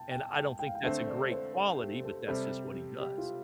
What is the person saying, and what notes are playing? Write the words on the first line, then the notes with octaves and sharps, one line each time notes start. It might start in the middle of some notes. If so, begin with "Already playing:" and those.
and I don't think that's a great quality, but that's just what he does.
Already playing: G5 A5
G5
G5
G5
F5
G5
D3 A3 C4 E5
D5
C5
A4
G4
A4
C3 G3 C4 A4
G4
G4
F4